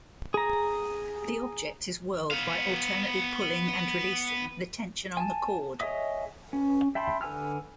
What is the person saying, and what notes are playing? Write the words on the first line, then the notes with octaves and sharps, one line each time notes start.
The object is whirled by alternately pulling and releasing the tension on the cord.
G#4 A#5
B3 F5
G#5 A5
G#4 C#5 D#5 E5 D#6
C#4
E5 G5 A5 B5 C6
D3 B4 G#5 E6 F6